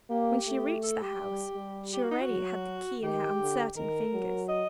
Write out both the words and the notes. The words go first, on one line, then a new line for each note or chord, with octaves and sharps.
When she reached the house, she already had the key in her uncertain fingers.
A#3 G4
A3
A4
G4
G3
G3
G4
F#4
D#4
F#4
F#3
D#3 G4
D3
D#3 A#4
F#3
D#5